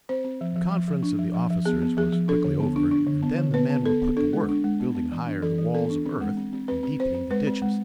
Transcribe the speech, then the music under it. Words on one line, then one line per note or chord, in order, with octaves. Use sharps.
The conference of the officers was quickly over, and then the men were put to work building higher the walls of earth and deepening the ditches.
C4 C5
C4
F3
F3
F3
F3
D4
F3
F3
F3
B3 G#4
B3
F3 G#4
F3
D4 A4
D3
B3
D4
D4
D3
B3
D3
B3 B4
B3
B3 A4
B3
D4 A4
G#3
D4
G#3
B3
B3
E3
D4
E3 A4
E3
B3 A4
D4
C4
G#3
C4
C4
C4 B4
C4
C4 C5
C4
G#3 B4
C4
G#3